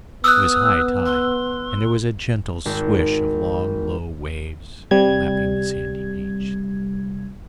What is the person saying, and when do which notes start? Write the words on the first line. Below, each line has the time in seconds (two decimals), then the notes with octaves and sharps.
It was high tide, and there was a gentle swish of long low waves lapping the sandy beach.
0.24 B3 D#6 E6 F#6
1.06 C6
2.66 G#1
4.91 C3 G3 G#6